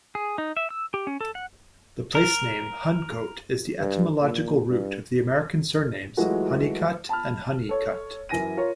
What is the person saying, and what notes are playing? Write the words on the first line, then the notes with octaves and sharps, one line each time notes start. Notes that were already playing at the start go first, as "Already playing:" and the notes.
The place-name Huncote is the etymological root of the American surnames Hunnicutt, and Honeycut.
G#4
D#4
E5
E6
G4
C#4
A4
F#5
A#4
G2
A#2
G2
E3 F#3 G#3 A3 F4 F#4
A5 B5 F6
A4 C#5
F#2 E3 G#5 A#6 D#7
F4 A#4 C#5